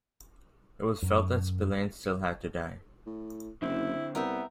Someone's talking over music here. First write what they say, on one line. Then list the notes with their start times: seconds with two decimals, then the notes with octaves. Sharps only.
It was felt that Spillane still had to die.
1.03 F#2
3.06 A2
3.62 F#1 D3 C4 E4
4.15 C2 B3 A#4 E5 G5